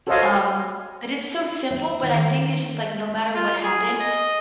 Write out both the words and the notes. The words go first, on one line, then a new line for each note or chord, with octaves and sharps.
um, but it's so simple, but I think it's just, like, no matter what happened
F#4 A4 C5 C#5 D#5 F5
C4
D#3
F4
G#4
D#5